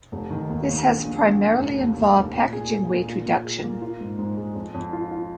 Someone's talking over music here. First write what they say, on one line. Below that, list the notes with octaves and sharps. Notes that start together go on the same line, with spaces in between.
This has primarily involved packaging weight reduction.
F1
D#3
D#2
D#2
A#1
A#1
A#1
A#3
F1
D#2
D#2
F1
A#2
G#4
G#4
A#2
A#2
A#2
G#4
A#3
F4
G#2
G#2
G#3
F2
F2
F4
F4